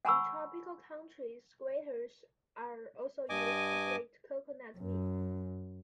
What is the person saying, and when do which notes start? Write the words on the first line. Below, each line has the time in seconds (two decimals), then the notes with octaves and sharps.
In tropical countries graters are also used to grate coconut meat.
0.05 F#5 G#5 A#5 B5 C#6 E6
3.29 G2 D#5 G#5 D6
4.78 F#2